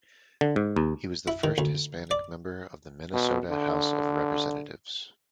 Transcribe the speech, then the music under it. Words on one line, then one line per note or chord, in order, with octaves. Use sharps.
He was the first Hispanic member of the Minnesota House of Representatives.
D3
G#2
D#2
E4
D#3
D2
D5
B2
D3